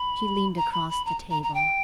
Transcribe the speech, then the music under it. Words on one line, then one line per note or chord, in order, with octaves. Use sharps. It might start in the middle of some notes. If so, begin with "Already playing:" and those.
She leaned across the table.
Already playing: B5
A#5
B5
B5
A#5
A#5
A#5
G5